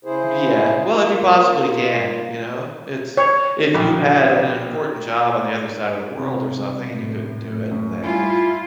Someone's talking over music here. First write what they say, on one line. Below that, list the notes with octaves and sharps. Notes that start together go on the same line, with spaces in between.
Yeah. Well, if you possibly can. You know? It's if you had an important job on the other side of the world or something and you couldn't do it, then
C#3 E4 G#4 C5
A#3 F4
C#5
A#1 F#4 G5 D6
C3
A2
F#2
G3 E4 F4 G#5